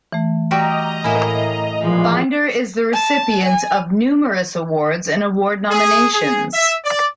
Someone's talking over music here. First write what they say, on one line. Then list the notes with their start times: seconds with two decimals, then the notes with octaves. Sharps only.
Finder is the recipient of numerous awards and award nominations.
0.12 E3 A3
0.51 G3 F#4 G4 D#5 A#5
1.04 A2 A#3 E4 A#4 G#5 B5
1.81 A#2 E3 F3 G#3
2.93 A5
3.45 G#5
5.70 G#4
6.13 G#4
6.54 E5
6.85 D5